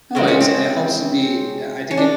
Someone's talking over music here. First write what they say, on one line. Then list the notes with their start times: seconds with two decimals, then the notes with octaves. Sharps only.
Oh, it's it helps to be I I think it
0.15 C#3 F3 G#3 C4
0.28 C#4
0.41 C4
1.91 C#4
1.97 D4